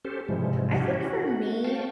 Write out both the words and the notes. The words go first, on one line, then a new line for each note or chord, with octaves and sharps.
I think for me,
C#4 G4 A4 C5
G#2 C3 E3 F3 G3 G#3
C#4 E4 F#4 G4
F#4
F5 G5 A5 C#6